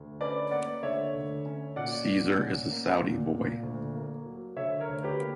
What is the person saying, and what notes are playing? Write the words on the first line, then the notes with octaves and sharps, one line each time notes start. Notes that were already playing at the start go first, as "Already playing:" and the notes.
Cesar is a Saudi boy.
Already playing: D2
C#4 B4 D5
A#3 D5 F#5
D3 C#5 E5
D2
C#4
A#2 D5 F#5
A#2
C#4
A#3
A#2
A#2
D2
A#3
F#3
D3 C#5 E5
A#4 C#5
D2
G4 B4
A#3